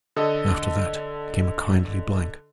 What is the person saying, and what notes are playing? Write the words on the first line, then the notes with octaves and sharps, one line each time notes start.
After that came a kindly blank.
D3 A4 D#5 D#6